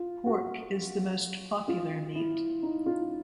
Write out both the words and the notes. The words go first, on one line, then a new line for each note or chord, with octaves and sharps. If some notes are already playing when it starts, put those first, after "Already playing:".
Pork is the most popular meat.
Already playing: F4
F#4
F4
E4
D#4
F4